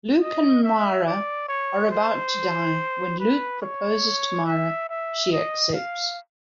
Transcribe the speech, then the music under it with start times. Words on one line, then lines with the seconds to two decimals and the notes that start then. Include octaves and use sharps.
Luke and Mara are about to die, when Luke proposes to Mara, she accepts.
0.21 D#5
0.63 E5
1.07 D5
1.48 C#5
1.91 C5
3.20 B4
3.62 C#5
4.46 E5
4.89 E5
5.32 D#5
5.74 F5